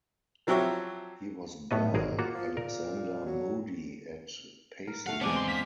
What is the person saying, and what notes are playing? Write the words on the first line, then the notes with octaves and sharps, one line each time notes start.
He was born Alexander Moody at Paisley.
F3 F#3 C4 E4 G4 C#5
D#2 A2 B3 D#5
G#1 G#4 A#4
A#3 F4 F#4
F3
A#2 A#4
F#3
A#4
A3 F5 F#5
E2 G#3 B3 C4 D4 G#5 D6
C#3 C6
A#3 B6